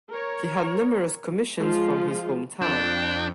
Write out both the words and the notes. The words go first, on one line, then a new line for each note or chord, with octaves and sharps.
He had numerous commissions from his hometown.
A#4 C#5
F3 G#3 F4
F2 D4 G5